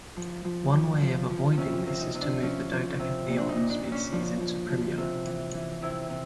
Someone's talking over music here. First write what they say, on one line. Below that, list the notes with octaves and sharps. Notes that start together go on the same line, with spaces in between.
One way of avoiding this is to move the "Dodecatheon" species into "Primula".
F3
F3
F3
F3
F3
C3 C#4
C3
D#4
C3
D4
F3 C#4
F3
C3
A#2
D4
D#4
A#2
D4
A#2
C#4
F3 D4
F3
F3
C3
E3
E3
C3 E4
C3